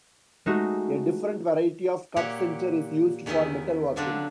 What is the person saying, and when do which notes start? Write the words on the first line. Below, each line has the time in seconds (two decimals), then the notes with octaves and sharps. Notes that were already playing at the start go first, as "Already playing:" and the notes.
A different variety of cup center is used for metalworking.
0.46 G#3 A3 D#4 F#4
2.16 A#2 A#3 F#4 G4 C#5 F#5
3.26 E2 D#3 C#4 E4 D#5 G#5
3.96 D3 F#3 C4 D4 F4 F#4